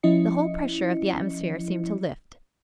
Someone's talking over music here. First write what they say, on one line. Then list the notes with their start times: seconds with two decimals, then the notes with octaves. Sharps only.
The whole pressure of the atmosphere seemed to lift.
0.03 F3 C#4 E4 D#5 C#7